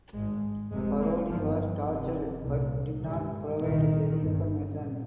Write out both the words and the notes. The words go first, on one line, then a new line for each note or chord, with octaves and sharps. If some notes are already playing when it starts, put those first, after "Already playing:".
Parodi was tortured but did not provide any information.
G#1 G#2 G#3
F1 F2 C3 G#3
A#3
G1 G2 F3
F1 F2 C3
C2 A#2
G#1 G2 D3
C2 A#2 D#3
G1 G2
A#2